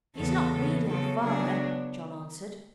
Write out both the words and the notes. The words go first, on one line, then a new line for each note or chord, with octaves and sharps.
'He is not really our father,' John answered.
E2 C#3 E3 B3 A4
C#3 E3 B3
C#3 F#3 B3 A4
C#3 F#3 B3 D4 G#4